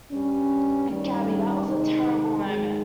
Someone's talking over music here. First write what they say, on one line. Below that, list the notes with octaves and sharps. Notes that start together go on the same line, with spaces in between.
Gabby, that was a terrible moment.
G2 G3 C#4
G2 D#3 G3 C#4
C3 D#3 G#3 D#4
G#2 D#3 G#3